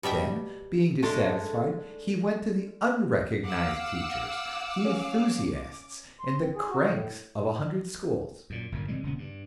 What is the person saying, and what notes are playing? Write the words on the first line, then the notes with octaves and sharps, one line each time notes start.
Then, being dissatisfied, he went to the unrecognized teachers, the enthusiasts and the "cranks" of a hundred schools.
B2 G3 E5 G5
G#3 A3 D4 G#4 A4
F5 F#5 D6 E6
C#4
C6
C4
G#4
F#4
A2
F#2 A#2
G1 F#2 A#2
C3 E3 G3 G#3
D#1 C#3 B3
G2